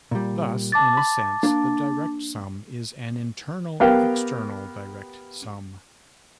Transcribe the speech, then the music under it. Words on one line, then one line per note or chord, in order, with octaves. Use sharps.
Thus, in a sense, the direct sum is an "internal" external direct sum.
A#2 G3
A5 D6 A6
B5
A#3 D4
B3 G4 A#4 F5 G5